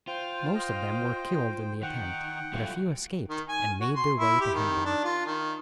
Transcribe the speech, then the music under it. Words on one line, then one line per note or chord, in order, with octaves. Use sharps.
Most of them were killed in the attempt, but a few escaped and made their way to Hennebon.
F4 C5 G5
D#5
D#3 F#5 G5
F#3 A3 F4
D#3
G#5
F#4
C6
E4
G4
D#3
D4
F4
D#3